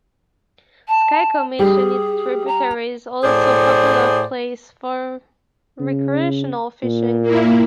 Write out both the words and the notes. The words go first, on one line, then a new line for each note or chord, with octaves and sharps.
Skykomish and its tributaries also popular place for recreational fishing.
A5
G3 G#4
A#5
A2 G#4 C5 D5
C#3
A#2
A#3 E4